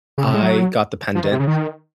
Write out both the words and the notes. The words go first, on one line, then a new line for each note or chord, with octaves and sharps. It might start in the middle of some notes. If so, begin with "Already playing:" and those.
I got the pendant.
C#3
C3
G#3
F#3
F3
D#3
C3
C#3
D#3